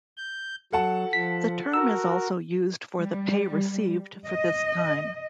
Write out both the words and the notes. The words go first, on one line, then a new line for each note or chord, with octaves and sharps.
The term is also used for the pay received for this time.
G6
F#3 A4 F#5 A5
F3 B6
F#4 A#4 E6
G3
D#5